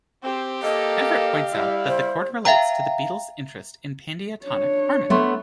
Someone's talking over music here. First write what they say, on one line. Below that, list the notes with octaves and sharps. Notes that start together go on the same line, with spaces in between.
Everett points out that the chord relates to the Beatles' interest in pandiatonic harmony.
C4 G4
A#3 A4 D#5 F5
G3 E4
C5
E5 F5 G5 A#5
D4 C#5
A3 B3 E5 C6 C#6